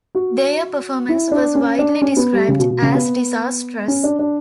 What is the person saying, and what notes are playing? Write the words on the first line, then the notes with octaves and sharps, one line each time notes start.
Their performance was widely described as disastrous.
F#4
E4
D4
C#4
D4
C#4
B3
G3
C#3
B2
B2
C#3
B3
C#4
D4
D4